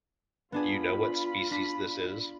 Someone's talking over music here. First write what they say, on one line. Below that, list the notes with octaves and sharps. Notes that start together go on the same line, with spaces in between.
Do you know what species this is?
B3 D4 F4 G#4 B5
D4 B6